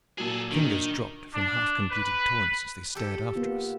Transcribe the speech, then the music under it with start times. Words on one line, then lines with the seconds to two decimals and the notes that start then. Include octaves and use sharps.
Fingers dropped from half-completed Toys as they stared after us.
0.18 A#2 F#3 G#4 A4
0.51 D#3 D4
1.33 D4
1.90 B4
2.95 G4 A4
3.35 A#3 B3 F4